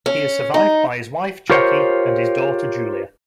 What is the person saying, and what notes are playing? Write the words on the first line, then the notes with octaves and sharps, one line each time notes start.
He is survived by his wife, Jaquie, and his daughter, Julia.
C#4
D#4
F4 G4 A#4 C5 C#5